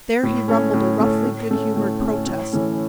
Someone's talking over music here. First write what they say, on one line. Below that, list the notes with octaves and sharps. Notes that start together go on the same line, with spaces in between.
There he rumbled a roughly good-humoured protest.
A2
A3 C#4
A2
A3 C#4
A2
A3 C#4
A2
A3 C#4
A2
E3 A3 C#4